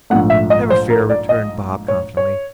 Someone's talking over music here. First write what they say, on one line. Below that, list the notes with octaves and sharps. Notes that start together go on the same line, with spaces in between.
"Never fear," returned Bob confidently.
A#1 G#2 F3 A3 F#5
E5
D#5
C5
A#4
D5
D#5
C#5
C#5